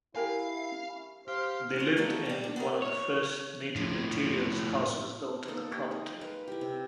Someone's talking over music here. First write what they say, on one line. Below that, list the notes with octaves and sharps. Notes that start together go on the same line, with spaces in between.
They lived in one of the first native-materials houses built on the property.
E4 G4 A#4 F5 G#5
G4 C5 F5
G#3 F#4
F3 G3 A3 B3 D#4 E4
G3 C4
D4
B3 C#4 G#4 A#4
C#5
A2 F3
A#3 D#4 A4
D#4 G4
G#3
A#4 B4 F5
E4 G4
C3